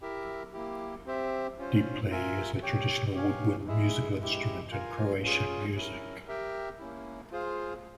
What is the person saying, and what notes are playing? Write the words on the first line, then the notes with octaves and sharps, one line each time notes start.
Diple is a traditional woodwind musical instrument in Croatian music.
E4 G4 A#4 E5
A#3 E4 G4
C4 G4 C5 E5
C#4 F4 C5
F4 A#4 E5 G#5
G4 C#5 G5
G4 C#5 F5 G#5
G#3 E4 G#4 E5
G#3 E4 G4
F4 A#4 F5 G#5
C#4 F4 G#4
C#4 E4 A#4
G4 A#4 E5 G5
A#3 C#4 E4
F4 G#4 C5 F5